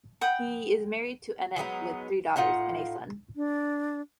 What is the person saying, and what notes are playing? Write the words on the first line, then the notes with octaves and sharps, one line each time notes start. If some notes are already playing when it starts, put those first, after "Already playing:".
He is married to Annette with three daughters and a son.
F#5 G5 B5 D#6
F#3 G#3 B3 D#4
A2 D#4 F4 F#5
D4